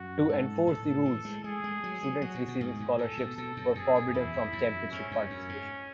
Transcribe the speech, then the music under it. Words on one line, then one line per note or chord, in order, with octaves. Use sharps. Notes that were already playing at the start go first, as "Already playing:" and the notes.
To enforce the rules, students receiving scholarships were forbidden from championship participation.
Already playing: F#2 F#4
G#2 A4
A2 A4
E3
G#3
G#3 G#4
G#3
F#3
F#3
F#3 F#4
B2
B2
G#2 G#4
A2
A2 A4
B2
B2 A4
F#2
F#2 G#4
F#2
E2 E4
F#2
F#2
G#2 C#4
F#2
F#2
G#2